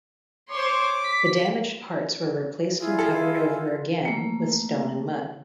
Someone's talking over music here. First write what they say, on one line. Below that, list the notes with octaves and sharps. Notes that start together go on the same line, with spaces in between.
The damaged parts were replaced and covered over again with stone and mud.
C5 C#5 C6 D6
B6
E4 F4 G#4
A4
A3 A#3